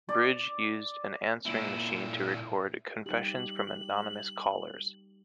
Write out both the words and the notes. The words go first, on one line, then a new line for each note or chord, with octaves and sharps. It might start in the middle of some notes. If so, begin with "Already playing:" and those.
Bridge used an answering machine to record confessions from anonymous callers.
D5
A#2 E4
G3 D#4 G4 F#7